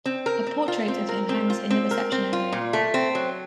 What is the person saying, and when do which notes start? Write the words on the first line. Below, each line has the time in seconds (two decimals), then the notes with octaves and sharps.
A portrait of him hangs in the reception area.
0.06 C4
0.26 A#4
0.47 C4
0.68 F4
0.88 C4
1.09 A#4
1.29 C4
1.50 F4
1.70 C4
1.91 A#4
2.12 C4
2.33 F4
2.52 A#2
2.73 A3
2.94 C4
3.15 F#3